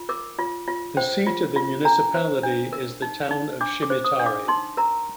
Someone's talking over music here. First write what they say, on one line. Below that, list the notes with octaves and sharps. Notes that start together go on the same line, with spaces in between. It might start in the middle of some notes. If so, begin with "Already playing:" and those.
The seat of the municipality is the town Schimatari.
Already playing: F4
A#4 D6
F4
F4
C5 G5
F4
F4
D4 A#5
C5
D4
A#4
D#4
D#4
D4 D6
D6
C5
D#6
D4
D6
D#4 C6
A#4 A#5